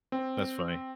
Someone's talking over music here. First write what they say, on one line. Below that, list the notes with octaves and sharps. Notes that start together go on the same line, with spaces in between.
That's funny.
C4